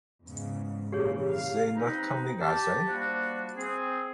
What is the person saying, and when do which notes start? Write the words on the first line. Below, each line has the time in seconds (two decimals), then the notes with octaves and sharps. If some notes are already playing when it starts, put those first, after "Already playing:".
They're not coming, are they?
0.23 E2 G#2 C#3
0.92 A#2 C#3 E3 G4 G#4 C#5
1.29 F5
1.76 C4 D#4 B4
2.41 G4 A5
2.87 F3 G3 A#3 D4 F#4
3.56 C4 G#4